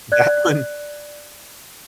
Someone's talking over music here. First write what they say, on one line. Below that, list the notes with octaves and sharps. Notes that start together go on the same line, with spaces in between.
That one
D5 F#6 G#6